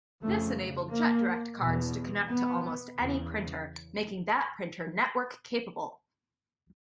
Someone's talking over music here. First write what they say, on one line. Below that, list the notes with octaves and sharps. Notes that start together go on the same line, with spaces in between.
This enabled Jetdirect cards to connect to almost any printer, making that printer network-capable.
F2 C#3 A3
A#3
E2 B2
B3
E2 C#3